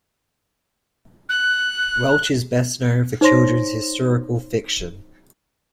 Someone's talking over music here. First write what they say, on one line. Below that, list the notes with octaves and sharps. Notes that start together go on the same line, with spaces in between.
Welch is best known for children's historical fiction.
F#6
D#4 C5 C#5 C6 A#6